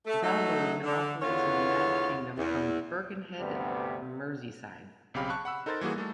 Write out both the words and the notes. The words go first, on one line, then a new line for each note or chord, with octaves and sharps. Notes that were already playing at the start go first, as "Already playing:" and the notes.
Valvoline operates in the United Kingdom from Birkenhead, Merseyside.
A3
F#3 A3 D#4
D3
E2 D3 E3 B3 F4 C#5
E2
D2 G2 C3 G3 B3
B1 C#3 C4 G4 F5 B5
A5 C#6 F#6
F#5 B5 E6
D#4 A4 A#4 C5 E6 A6
E3 G3 A#3 F#4 G#4
G3 A3 A4